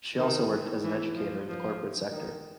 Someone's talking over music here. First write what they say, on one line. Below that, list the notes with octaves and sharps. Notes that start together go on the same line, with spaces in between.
She also worked as an educator in the corporate sector.
D#3
E3
E3
F3
F3
D#3